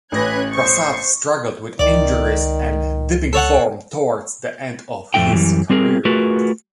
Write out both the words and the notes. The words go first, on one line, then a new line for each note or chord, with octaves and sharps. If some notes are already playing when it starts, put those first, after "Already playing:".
Prasad struggled with injuries and dipping form towards the end of his career.
A1 C#4 B4 F#6 G#6 A#6
C5 C#6
C#2 D#3 D5
A4 C#5 F#5
F2 A2 G3 A3 D#4 G5
F#2 E3 G3
G3 C4 G#4 A#4
A3 F4 F#4 G#4 A#4 B4